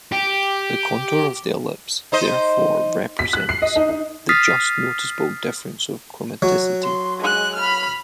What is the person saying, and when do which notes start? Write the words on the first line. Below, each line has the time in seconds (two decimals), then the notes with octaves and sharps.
The contour of the ellipse therefore represents the just noticeable differences of chromaticity.
0.12 G4
2.12 D#4 C5 D#5
3.19 B6
3.33 F#6
3.49 C7
3.62 D#5
3.76 D#4
3.89 D#4
4.29 D#6 F6 A6 B6 C7
6.42 F#3
6.84 C6
7.20 G#3 F#6
7.55 B5 F6